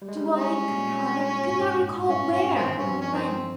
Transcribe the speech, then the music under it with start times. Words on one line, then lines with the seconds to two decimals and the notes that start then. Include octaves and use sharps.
Do all he could, however, he could not recall where or when.
0.02 G3
0.09 G#3
0.16 G3
0.37 C#4
0.71 A#2
1.41 A#2
1.48 G#2
1.56 G2
1.64 G#2
2.09 G2 C#4
2.32 C#4
2.56 D#3 C4
2.79 G2 C#4
2.86 F2
3.02 F2 C#4
3.13 D#3 C4